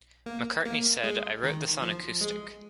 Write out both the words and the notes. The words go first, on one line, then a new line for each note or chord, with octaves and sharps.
McCartney said, I wrote this on acoustic.
A#3
A#3
G#3
D#3
F3
G#3